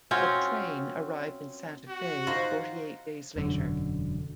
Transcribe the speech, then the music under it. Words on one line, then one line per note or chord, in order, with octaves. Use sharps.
The 'train' arrived in Santa Fe forty-eight days later.
C4 C#4 F4 F#4
F#4
D#4 F4 C5
E1 F#2 D3